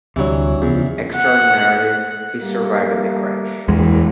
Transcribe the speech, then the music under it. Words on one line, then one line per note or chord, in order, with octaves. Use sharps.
Extraordinarily he survived the crash.
D2 C3 E3 F#3 G3 D4
E2 C#3 F3
F#5
G3 A3 A#3
A#1 E2 E3 G#3